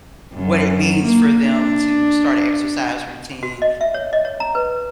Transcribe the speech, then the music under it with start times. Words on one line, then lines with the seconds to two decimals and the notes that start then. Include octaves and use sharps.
what it means for them to start a exercise routine,
0.32 F#2
1.03 A#3
1.40 D4
3.43 F#4
3.62 D#5
3.81 E5
3.94 C#5
4.13 D#5
4.25 C#5
4.40 A#5
4.55 B4